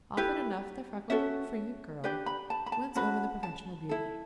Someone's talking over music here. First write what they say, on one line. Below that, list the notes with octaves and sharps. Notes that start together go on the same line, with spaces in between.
Often enough the freckled and fringrant girl wins over the professional beauty.
E4 G4 B4
C#4 F#4 A4 E5
D4 G4 B4 D5
B5
A5
B5
A5
C#4 F#4 B4 B5
A5
E4 A4